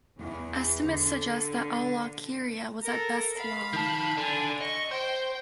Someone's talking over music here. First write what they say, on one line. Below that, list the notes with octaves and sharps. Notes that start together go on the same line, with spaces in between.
Estimates suggest that "Alwalkeria" was at best long.
E2
D3
A4 A#4
F5 B5
D#3 A5
D3 D4 G#5
D#5 C#6
C5 G5